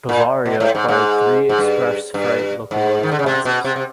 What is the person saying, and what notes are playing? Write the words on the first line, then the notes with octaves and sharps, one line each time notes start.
Bavaria acquired three express freight locomotive classes.
A#2
B2
A2
G#2
G#2
G#2
G2
G2
G#2
D#3
D3
C#3
C3
B2
C3
C3